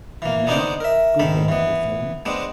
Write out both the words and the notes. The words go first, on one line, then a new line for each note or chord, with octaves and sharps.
And now, good-bye, old fellow.
E3 A#3
B3 D4 D#4 G#4 C5 D5
A#4 E5
G#2 D#3 A5 B5
E3 B3
G#3 B3 C4 D4